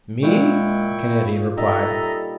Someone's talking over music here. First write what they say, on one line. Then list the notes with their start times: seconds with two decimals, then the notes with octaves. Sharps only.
"Me?" the Canadian replied.
0.23 A#2 G#3 E4 G5 C#6
1.57 G3 D#4 A4 D#5 E5 A#5